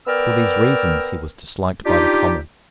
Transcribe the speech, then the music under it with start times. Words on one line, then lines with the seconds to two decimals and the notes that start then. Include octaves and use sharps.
For these reasons he was disliked by the Commons.
0.06 B3 A#4 D5 G5 E6 F6
1.85 D4 D#4 F4 G4